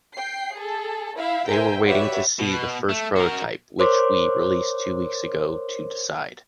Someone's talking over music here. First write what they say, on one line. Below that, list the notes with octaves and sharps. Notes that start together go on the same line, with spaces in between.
They were waiting to see the first prototype, which we released two weeks ago, to decide.
G5 C7
G#4 A4
E4 E5 F5
A#4 C5 E5 G5 G#5
F#4 G4 B4 C#5 D5 E5
B2
A3
F#4 A#4
A#4 C5 C#5 C6 D6